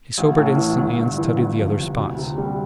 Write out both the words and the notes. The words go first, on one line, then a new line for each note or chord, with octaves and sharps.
He sobered instantly and studied the other spots.
A1
A2
E3
G1
G2
E3
G1
F2
C3
D2
C3
G3